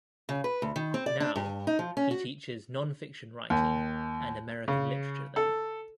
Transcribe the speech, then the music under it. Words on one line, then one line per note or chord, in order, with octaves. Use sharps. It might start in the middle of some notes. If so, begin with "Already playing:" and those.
Now, he teaches nonfiction writing and American literature there.
C#3
B4
D2
D#3
C4
D5
D4
G2
D#4
F3
C#4
F#4
D#2
C#3
A4